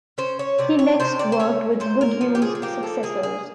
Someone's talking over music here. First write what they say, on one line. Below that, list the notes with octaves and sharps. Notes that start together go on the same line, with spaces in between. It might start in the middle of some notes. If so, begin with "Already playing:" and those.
He next worked with Goodhue's successors.
C#4 C5
C#5
C3 D5
C#5
C3 C5
D5
C5
C#4 C#5
A#2 C5
A#4
F3
G4
G#4
G#4
A#3 G4
A4
A#3 G#4
G#4